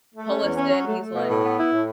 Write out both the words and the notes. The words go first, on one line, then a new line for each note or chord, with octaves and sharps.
pull us in. He's like
A3
C#4
E2
C#4
F#3
A3
A3
B2
A2
B3
E4
A2